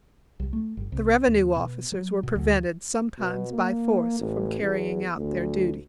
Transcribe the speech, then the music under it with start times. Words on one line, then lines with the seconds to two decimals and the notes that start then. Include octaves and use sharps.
The revenue officers were prevented, sometimes by force, from carrying out their duties.
0.40 C2
0.53 A3
0.77 G1
0.92 C2
1.28 D#2
1.56 B2
1.92 F#3
2.23 B2
2.36 D2
3.19 B2
3.52 A#3
4.19 A1
4.61 E2
5.18 D2